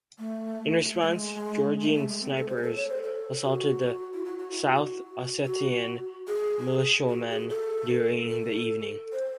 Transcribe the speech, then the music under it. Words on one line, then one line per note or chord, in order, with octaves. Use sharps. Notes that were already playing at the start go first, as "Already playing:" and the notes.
In response, Georgian snipers assaulted the South Ossetian militiamen during the evening.
A3
A3
G#3
A3
A3
G#3
C4
A4
C5
G#4
A4
C#5
C5
A4
F#4
E4
F#4
F#4
E4
F#4
F#4
G#4
F#4
G#4
A4
A4
C5